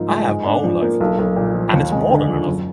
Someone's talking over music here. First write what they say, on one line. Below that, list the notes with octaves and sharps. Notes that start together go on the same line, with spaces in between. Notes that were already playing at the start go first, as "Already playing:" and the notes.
I have my own life and it's more than enough.
Already playing: G#2 F3 A#3 D#4
G#3
G#2
D4
F3
A#3
B1
B1
A#2
F3
D#2
G#3
D3
F3
F#1